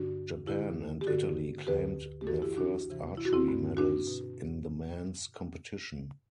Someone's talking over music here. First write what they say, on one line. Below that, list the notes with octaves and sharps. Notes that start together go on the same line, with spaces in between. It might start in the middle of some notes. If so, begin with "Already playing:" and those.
Japan and Italy claimed their first archery medals in the men's competition.
Already playing: G2 D3 D4 F#4
F#2 D3 E4 G4
G4
G2 D3 F#4 A4
D2 D3 G4 B4
G4
F#2 E3 F#4 A4
E4 G4
D4 F#4
D2 C3 E3
E4
F#4
C4 E4
G2 D3
D4 F#4
B2